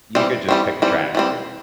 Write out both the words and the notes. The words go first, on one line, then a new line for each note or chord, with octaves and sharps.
you could just pick a track or,
E3 G3 C4
E3 G3 C4
E3 G3 C4
E3 G3 C4